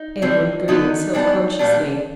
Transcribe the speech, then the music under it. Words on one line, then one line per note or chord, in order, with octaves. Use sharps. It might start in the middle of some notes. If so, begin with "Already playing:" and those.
Edwin grinned self-consciously.
Already playing: D#4
D3 G3 C4
D3 F#3 B3 D#4
E3 G3 B3 D4
A#2 G3 B3 D4